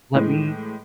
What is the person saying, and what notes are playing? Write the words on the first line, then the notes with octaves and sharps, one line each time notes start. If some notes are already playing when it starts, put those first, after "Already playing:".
Let me"
A2 E3 G#3